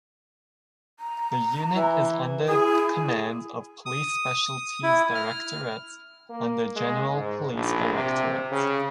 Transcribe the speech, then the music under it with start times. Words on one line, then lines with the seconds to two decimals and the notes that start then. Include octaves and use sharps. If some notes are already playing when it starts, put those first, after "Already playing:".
The unit is under command of Police Specialities Directorate, under General Police Directorate.
1.00 A#5
1.75 E3
2.49 E4 G#4
3.86 D#6
4.83 E4
5.15 F6
6.30 A#3
6.76 G#3
7.15 G#2
7.54 A#1
7.93 C3
8.52 C#3